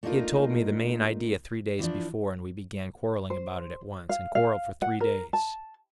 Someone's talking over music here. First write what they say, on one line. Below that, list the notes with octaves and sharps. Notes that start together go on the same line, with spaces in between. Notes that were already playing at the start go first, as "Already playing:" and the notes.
He had told me the main idea three days before, and we began quarreling about it at once and quarreled for three days.
A3 A#3 D4 D#4 F4 A#4
E3 F3 D4
C5
F5
F5
F#5
A#4
A5